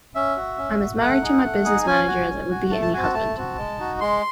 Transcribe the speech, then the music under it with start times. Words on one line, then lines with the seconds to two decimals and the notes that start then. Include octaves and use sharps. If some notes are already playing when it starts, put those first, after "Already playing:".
I'm as married to my business manager as I would be any husband.
0.15 C#4 E5
0.36 F#4
0.58 C#4
0.80 F#4
1.01 A3 F#5
1.22 D#4 G#4
1.44 A3
1.64 D#4 G#4
1.86 C#4 G#5
2.07 F#4
2.29 C#4
2.51 F#4
2.71 A3 A5
2.82 A5
2.93 C4 F#4 G#5
3.03 A5
3.14 A3 A5
3.36 C4 F#4
3.57 G#3
3.79 D#4 F#4
4.01 G#3 C6